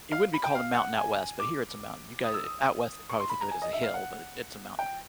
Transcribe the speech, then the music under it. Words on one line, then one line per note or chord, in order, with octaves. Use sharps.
it wouldn't be called a mountain out west, but here it's a mountain, you got it out west, you probably think of it as a hill, but it's a mountain,
F5
B5
G5
F5
F#5
G#5
D6
D#6
E6
D#6
C#6
C6
B5
A#5
G#5
D#5
E5
F5
F#5
G5